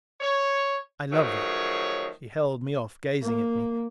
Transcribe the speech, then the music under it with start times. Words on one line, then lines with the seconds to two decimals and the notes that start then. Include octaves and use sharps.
"I love you." She held me off, gazing at me.
0.21 C#5
1.12 D#3 F3 F#3 A3 G#4 C#5
3.21 A#3